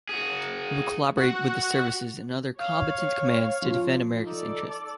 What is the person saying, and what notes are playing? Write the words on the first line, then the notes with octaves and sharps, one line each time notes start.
We will collaborate with the Services and other Combatant Commands to defend America's interests.
F#4 G#4
F#4
C#5 F5
F3 F4
D#4 A4 D5